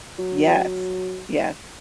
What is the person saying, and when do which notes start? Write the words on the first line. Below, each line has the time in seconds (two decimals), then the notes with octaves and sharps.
Yes, ye
0.19 F#3